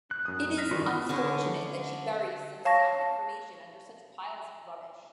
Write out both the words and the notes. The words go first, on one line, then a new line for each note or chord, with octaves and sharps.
It is unfortunate that she buries some sound information under such piles of rubbish.
F#6
F#2 D#6
F6 A#6 B6
G2 D#3 E3 F4 F#4 D5
D3 C#4 D#4
C#5 F5 A5 C#6 A#6